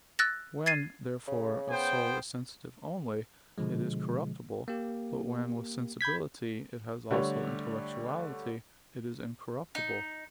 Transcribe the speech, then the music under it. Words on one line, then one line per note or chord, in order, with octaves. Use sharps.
When, therefore, a soul is sensitive only, it is corruptible; but when with sensibility it has also intellectuality, it is incorruptible.
E6 F#6 A6 A#6
G#6 A6 C7 D#7
C#3
B3 C5 G5
B2 D3 F3 G#3
A#3 G4
B5 G6 G#6 B6
D3 G3 A3 C#5
D#4